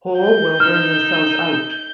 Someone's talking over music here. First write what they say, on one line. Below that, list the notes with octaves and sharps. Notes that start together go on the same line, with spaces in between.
Hole will burn themselves out.
G6
D#4 E6 F6